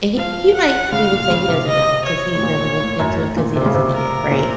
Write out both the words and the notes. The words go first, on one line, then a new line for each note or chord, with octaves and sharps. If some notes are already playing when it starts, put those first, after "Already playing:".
He he might even say he doesn't know 'cause he's never looked into it 'cause he doesn't need it, right?
F3 F5
F#5
C#3 F5
A#2
C#3
C3
D#5
C#5
A2
A#2
A2
F#2
A2
A#2
C3
C#3
C3
A#4
A#2